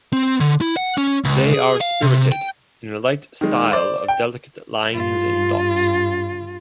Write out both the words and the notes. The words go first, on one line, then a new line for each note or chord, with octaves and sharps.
They are spirited, in a light style of delicate lines and dots.
C4
D3
E4
F#5
C#4
C#2
G#4
F5
C3
G5
D#3 G#3
C5 D5
G5
G2 F4